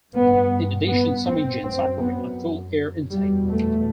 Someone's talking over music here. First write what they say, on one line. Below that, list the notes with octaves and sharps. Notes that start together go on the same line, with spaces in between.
In addition some engines operate on full air intake.
G2 B3
B3
C4
F#2 C4
B3
E2 B2 G3
A3